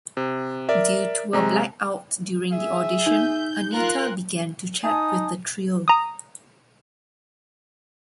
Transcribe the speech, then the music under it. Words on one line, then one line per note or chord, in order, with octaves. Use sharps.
Due to a black-out during the audition, Anita began to chat with the trio.
C3
A#4 D5 E5
C3 G#3 A#5
G#4 E5
D#4 G6
F4 A#4 F#6
D#4 G#5 A5 D#6
A#5 D#6